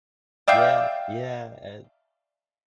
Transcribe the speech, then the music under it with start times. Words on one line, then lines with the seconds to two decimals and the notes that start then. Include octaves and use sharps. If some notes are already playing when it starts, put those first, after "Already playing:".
Yeah, yeah, and
0.48 D5 E5 F5 G5